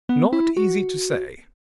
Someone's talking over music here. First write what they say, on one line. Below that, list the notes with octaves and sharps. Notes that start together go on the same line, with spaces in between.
Not easy to say.
B3
E4
F#4